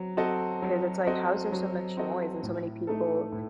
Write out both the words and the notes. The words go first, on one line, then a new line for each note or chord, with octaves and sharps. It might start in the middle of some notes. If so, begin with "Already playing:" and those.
'cause it's like, how is there so much noise and so many people,
Already playing: F#3 C4
C4 F#4 A4 D#5
F#3
C4 F#4 A4 D#5
F#3
C4 F#4 A4 D#5
A2
A3 D#4 A4
A2